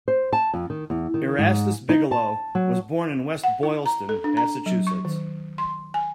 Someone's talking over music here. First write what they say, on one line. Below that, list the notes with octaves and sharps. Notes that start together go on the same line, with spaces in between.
Erastus Bigelow was born in West Boylston, Massachusetts.
C5
A5
F2
D#3
E2
D#3
G#2
D#4
A5
F#3
F#5
E4
A#5
A4
D4
A#5
F#3
C#6
D#3
C6
G#5